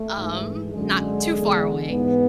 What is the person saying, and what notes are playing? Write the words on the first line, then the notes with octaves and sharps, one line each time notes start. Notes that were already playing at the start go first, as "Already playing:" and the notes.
Um, not too far away.
Already playing: A3
G#2 E3
F#2 D3 G#3
E2 D3
G#2 E3 B3